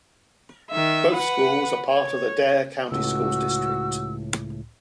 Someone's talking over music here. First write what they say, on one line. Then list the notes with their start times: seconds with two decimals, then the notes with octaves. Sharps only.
Both schools are part of the Dare County Schools district.
0.71 D#3 E5
1.13 B4 F#5
1.90 C#5
2.92 C#2 A2 F#4 E6